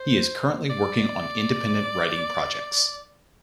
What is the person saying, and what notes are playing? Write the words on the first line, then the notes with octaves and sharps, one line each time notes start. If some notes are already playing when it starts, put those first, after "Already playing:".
He is currently working on independent writing projects.
Already playing: C5
D5